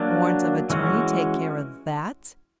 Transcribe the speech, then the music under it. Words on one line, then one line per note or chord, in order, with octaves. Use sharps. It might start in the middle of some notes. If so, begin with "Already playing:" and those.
Warrant of attorney--take care of that.
Already playing: F#3 A#3 D4
E3 G#3 C#4 F#4